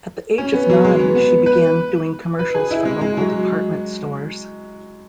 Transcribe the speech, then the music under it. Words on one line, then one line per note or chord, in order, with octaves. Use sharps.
At the age of nine, she began doing commercials for local department stores.
C#4
B3
F#3
G#3
B3
B3
B4
B4
G#4
E4
G#3
G#3
F#3